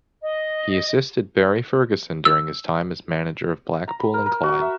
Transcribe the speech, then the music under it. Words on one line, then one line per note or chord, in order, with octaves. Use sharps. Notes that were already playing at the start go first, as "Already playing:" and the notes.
He assisted Barry Ferguson during his time as manager of Blackpool and Clyde.
D#5
E6
A#5
B5
A#4
A#4
F#4
E5